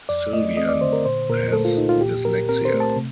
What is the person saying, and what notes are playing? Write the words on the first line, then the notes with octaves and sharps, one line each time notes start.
Sylvain has dyslexia.
F2 D5
A3 D#5
C4 D#5
D5
D3 C5
A#4
A#2 C5
A#2 A#4
A3 A4
F4
C2 D#4
F4
A#2 G4
A#2 A#4
C4 A#4
C5
A3
A5
C3